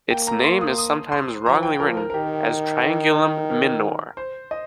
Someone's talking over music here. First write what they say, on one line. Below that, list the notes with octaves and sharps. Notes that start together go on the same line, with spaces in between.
Its name is sometimes wrongly written as Triangulum Min"or".
A#3 G5
A#5
C6
D#6
D#6
C6
F3 A#5
G5
F3 A#4
A#4
A#4
D#3 G4
A#4
C5
D#5